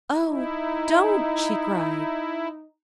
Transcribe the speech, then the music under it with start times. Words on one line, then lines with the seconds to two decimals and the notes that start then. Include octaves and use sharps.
"Oh, don't!" she cried.
0.23 D#4 E4